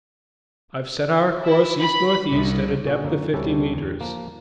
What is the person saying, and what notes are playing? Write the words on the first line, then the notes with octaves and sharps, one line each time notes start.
I've set our course east-northeast at a depth of fifty meters.
E4
B5
C2
A#2 D3 F#4 G#4
F#2 D3 A#3
D2 C3 G3 C#4 D4 A4
E2
F3 A#3